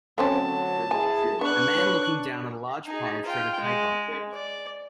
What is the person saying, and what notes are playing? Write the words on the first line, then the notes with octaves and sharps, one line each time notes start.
A man looking down at a large pile of shredded paper.
D3 F#3 A3 C4 C#4 A5
G#2 E4 G#4 G#5
B3 D4 B4 C#6 F#6
C#5
D#4 G#4
F4 G5
G#3
D5